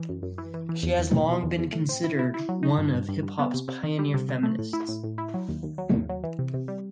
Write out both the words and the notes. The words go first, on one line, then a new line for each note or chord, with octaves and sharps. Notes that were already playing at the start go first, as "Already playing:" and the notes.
She has long been considered one of hip-hop's pioneer feminists.
Already playing: E3
F#2
F#2
E3
E3
E3
E2
E2
B2
B2
E2
E2
A2
C4
E4
E4
E4
F#3
D#4
G2
G2
G2
G2
B3
C3
C3
D#3
G3
C3
C3
A3
A2
E4
A2
A2
E4
F#3
D#2
D#2
F#3
D#2
F#3
E3
C3
C3
G3